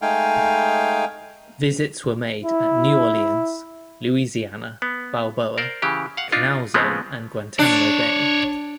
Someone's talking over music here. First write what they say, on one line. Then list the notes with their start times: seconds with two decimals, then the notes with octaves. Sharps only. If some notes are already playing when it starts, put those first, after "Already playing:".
Visits were made at New Orleans, Louisiana, Balboa, Canal Zone, and Guantanamo Bay.
0.02 G#3 A3 D#4 F5 G5 G#5
2.44 E4
4.82 B3
5.58 A#4 C5 D5
5.82 C#3 E3 G4
6.17 F5 F#5
6.32 D4 D#4 F4
6.74 C#3 F3 G#3 B3 C4
7.59 D4 C#5 D5